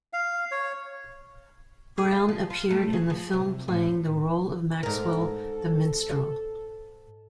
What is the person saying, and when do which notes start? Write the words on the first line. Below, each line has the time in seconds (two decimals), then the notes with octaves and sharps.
Browne appeared in the film playing the role of Maxwell The Minstrel.
0.13 F5
0.51 C#5
1.98 G#4
2.12 F5
2.29 F3
2.50 F4
2.70 A3
2.93 G#4
3.10 F3
3.33 C3
3.68 A2
4.83 G#2 A4 A#4